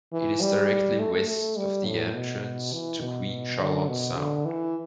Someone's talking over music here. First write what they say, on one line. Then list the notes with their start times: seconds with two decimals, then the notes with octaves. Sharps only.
It is directly west of the entrance to Queen Charlotte Sound.
0.13 E3
0.41 G3
0.99 A3
1.28 A3
1.57 G3
1.85 A2
2.14 B2
2.73 E3
3.01 B2
3.59 D3
3.88 B2
4.17 D3
4.46 E3